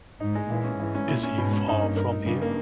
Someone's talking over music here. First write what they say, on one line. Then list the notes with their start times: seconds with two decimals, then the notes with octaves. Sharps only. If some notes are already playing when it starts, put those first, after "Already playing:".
Is he far from here?
0.20 G#2 D#4
0.35 G#3
0.50 A#2 E3
0.64 C#4
0.79 G#2 E3
0.95 C#4
1.08 A#2 E4
1.23 C#4
1.38 G#2 B2
1.53 C#4
1.68 G2 D#4
1.82 A#3
1.96 A#4
2.12 D#4
2.26 G2 C#3
2.42 A#3